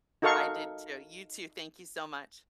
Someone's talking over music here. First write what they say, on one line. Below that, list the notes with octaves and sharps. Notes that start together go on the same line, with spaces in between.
I did too. You too, thank you so much.
D#4 F#4 A4 A#4 F5 C#6